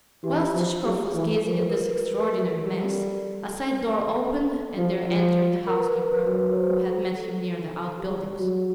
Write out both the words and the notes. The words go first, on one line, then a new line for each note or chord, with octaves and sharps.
Whilst Chichikov was gazing at this extraordinary mess, a side door opened and there entered the housekeeper who had met him near the outbuildings.
E3 G4
F3
F#3 G#4
G4
G#4
E3 A4
F3 A#4
B4
A#4
B4
A#4
B4
A#4
F#3
A#4
G3 A4
A4
F3
F3
A#4
B4
A#4
B4
A#4
F#3 B4
C#5
C5
A4
G4
G3 G#4
F#3 F#4